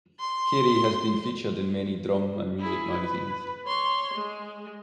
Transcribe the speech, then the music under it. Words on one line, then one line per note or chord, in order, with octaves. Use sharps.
Carey has been featured in many drum and music magazines.
C6
E4 G#4
B4
C#5 C6
G#3